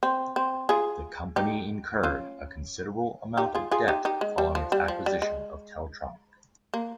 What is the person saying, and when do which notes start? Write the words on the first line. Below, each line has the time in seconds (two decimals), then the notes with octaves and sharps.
The company incurred a considerable amount of debt following its acquisition of Teltronic.
0.03 C4
0.36 C4
0.69 F4 G#4
1.36 D#4 G4
2.03 C#4 F4
3.37 D#4 G4
3.55 F4 G#4
3.71 F4 G#4
3.88 D#4 G4
4.05 D#4 G4
4.21 G#3
4.38 G3
4.55 F3
4.72 G3
4.88 F3
5.06 G3
5.22 G#3
6.74 A#3